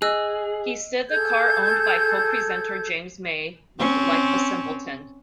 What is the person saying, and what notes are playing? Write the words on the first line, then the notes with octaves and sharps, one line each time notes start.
He said the car owned by co-presenter James May looked "like a simpleton".
G#4 D#5 E6 F#6
G#4 A4 G6 G#6
C4 C#4